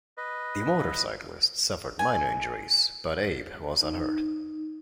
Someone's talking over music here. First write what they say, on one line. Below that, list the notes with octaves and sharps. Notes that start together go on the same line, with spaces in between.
The motorcyclist suffered minor injuries, but Abe was unhurt.
B4 D#5
G#5
D#4